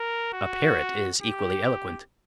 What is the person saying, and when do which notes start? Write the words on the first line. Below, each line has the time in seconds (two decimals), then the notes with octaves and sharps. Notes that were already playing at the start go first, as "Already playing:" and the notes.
A parrot is equally eloquent.
Already playing: A#4
0.33 F#4
1.22 G4